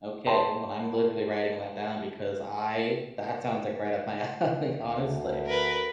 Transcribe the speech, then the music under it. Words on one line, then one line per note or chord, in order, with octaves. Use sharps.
Okay, hold on, I'm literally writing that down because I that sounds, like, right up my alley, honestly.
C#5 E5 G5 A5 B5 C6
D2
A#4 B4